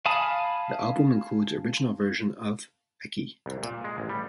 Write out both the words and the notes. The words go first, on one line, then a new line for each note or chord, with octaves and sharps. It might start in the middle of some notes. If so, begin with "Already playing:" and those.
The album includes original version of "Eki".
F5 G#5 A5 B5 D#6
C2
A#2
G#3
A1
G3